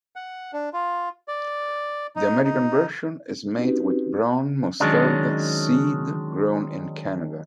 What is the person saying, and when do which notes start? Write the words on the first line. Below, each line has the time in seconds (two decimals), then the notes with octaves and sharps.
The American version is made with brown mustard seed grown in Canada.
0.16 F#5
0.53 D4
0.73 F4
1.28 D5
2.16 D#4
2.45 D#4
3.56 C4 C#4 D#4 F#4 G4 B4
4.80 D#3 F#3 G#3 C#4 D4